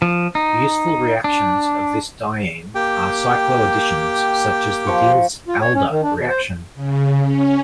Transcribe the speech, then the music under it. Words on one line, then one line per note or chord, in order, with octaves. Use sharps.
Useful reactions of this diene are cycloadditions, such as the Diels-Alder reaction.
F3
D#4
D4
A#3 G4 G5
F3 C#6
F4
C#5
C#4
D#3
D4
B2
C5
C#3
C#4